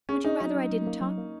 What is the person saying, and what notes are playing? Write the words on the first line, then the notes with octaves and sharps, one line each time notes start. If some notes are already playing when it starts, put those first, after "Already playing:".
Would you rather I didn't talk?
C#4 G#4
D#4 G#4
F#3 D#4
F#3
F#3
A#3
F#3
A#3